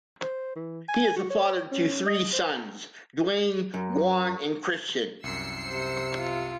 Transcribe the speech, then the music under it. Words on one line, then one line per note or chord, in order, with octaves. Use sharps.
He is the father to three sons, Duane, Gawen and Christian.
C5
E3
G#5
F#4
C#5
C#4
D#5
C5
F#2
C2 F#2 E6 C7 C#7
C3 C5
F4